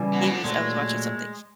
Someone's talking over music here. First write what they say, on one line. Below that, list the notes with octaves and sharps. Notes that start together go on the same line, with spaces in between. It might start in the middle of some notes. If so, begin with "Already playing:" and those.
he was I was watching something,
Already playing: C#3 E3 G3
B2
A#2
B2
D3
A#2 F#3 G#3 A3